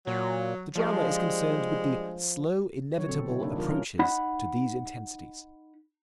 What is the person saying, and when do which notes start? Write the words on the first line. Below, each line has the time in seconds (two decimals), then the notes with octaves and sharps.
The drama is concerned with the slow, inevitable approaches to these intensities.
0.07 A#2 F#3
0.76 F3 G3 G#3 D4
2.97 D3 F#3 C#5
3.09 A#2 C4 A4
3.30 E4
3.42 C3 A#3 D4 D#4
3.56 D#3 F#3 F4 A#4
3.69 F3 F#3 C#4
3.99 D#4 F#5 B5